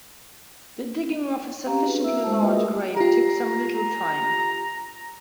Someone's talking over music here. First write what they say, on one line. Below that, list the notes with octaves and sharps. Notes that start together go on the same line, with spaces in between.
The digging of a sufficiently large grave took some little time.
C4 C#4 G4 F5 A#5
C4 D4 F#4 G#4 B4
E4 E5 E6
G#3 C5 A5 E6
A3 A#3 F4 B4 D#5 E5
F#4 G#4 A#4 D#6
F4 G4 A#5